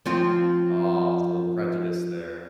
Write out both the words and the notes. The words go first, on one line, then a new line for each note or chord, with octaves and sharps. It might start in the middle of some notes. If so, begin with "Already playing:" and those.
Oh, it's a little prejudice there.
F3 C4 F4